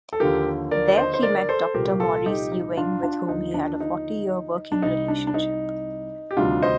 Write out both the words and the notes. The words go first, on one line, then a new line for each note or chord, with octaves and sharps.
There he met Doctor Maurice Ewing with whom he had a forty-year working relationship.
A4
D#2 D3 F3 G4 A#4
A#4 D5
C5 D#5
C5
A#4 D5
A4 C5
C2 A#2 F3 G4 A#4
F4 A4
D#4 G4
D#4
D4 F4
D4 F4
D#2 D3 F3 D#4
D4
D#4
D4
C2 C3 G3 D#4
D4
D4
D#4
G4
D2 C3 D#3 G3 D4 F4
C5 D#5